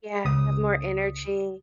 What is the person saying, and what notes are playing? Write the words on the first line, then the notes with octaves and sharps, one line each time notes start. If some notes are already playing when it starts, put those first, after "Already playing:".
Yeah, have more energy.
C#2 D#6